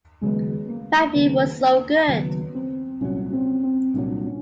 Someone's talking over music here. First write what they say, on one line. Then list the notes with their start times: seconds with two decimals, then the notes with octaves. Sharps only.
Matthew was so good.
0.21 D#2 C#3 F#3 G#3 B3
0.68 A#3
1.15 D#2 C#3 F#3 B3
2.08 D#2 C#3 F#3 B3
2.55 C4
3.01 C2 A#2 F#3 C#4
3.33 C4
3.63 C4
3.94 C2 A#2 F#3 D4
4.25 C#4